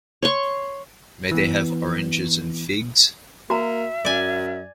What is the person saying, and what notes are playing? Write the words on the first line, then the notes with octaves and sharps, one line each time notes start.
May they have oranges and figs?
C#5 C6 C#6
E3 B3
A#3 F#4 E5 A#5
F#2 D5 G#5